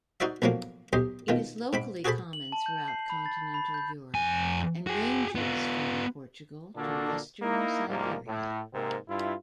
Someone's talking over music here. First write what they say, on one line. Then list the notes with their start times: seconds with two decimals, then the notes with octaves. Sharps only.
It is locally common throughout continental Europe, and ranges from Portugal to Western Siberia.
0.20 D#4 F#4 C5 D5 E5
0.42 B1 A2 F3 F#3 A#3
0.93 B1 G4 C5 D#5 C6
1.28 B2 D#3 F4
1.73 G#2 C4 B5
2.05 F#4 G#4 A4 C5 A5 B5
2.33 F#7
2.52 A5
2.66 G6
2.88 C7
3.10 B5
3.26 A6
3.54 B5
3.74 G6
4.15 F2 G#5
4.87 F#4 G#4
5.35 B3 F4
6.76 A#2 D3 A#3 D4 F#4 A4
7.42 A#3 D#4 E4
7.88 C2 G#2 F3 G3 A#3
8.28 A2
8.74 G#2 C3 A#3 C4 A#4
9.08 G2 E4 F4